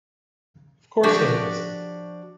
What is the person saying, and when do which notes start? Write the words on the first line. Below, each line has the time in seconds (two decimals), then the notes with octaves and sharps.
Of course it is!
1.03 F3 D4 F#4 G4